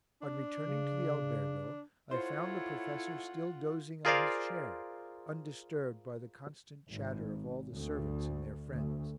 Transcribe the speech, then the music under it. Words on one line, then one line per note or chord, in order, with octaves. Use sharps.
On returning to the albergo I found the professor still dozing on his chair, undisturbed by the constant chatter of all the servants and their friends.
D4
C#3
E4 F4 A4 C5 C#5 F#5
F4 G#4 A#4 C5 D5 F5
G#1
D2
D2